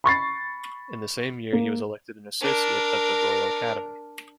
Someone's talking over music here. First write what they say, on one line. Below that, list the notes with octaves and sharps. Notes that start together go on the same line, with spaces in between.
In the same year he was elected an associate of the Royal Academy.
B5 C#6 A6 C7
A#3
D4 A#4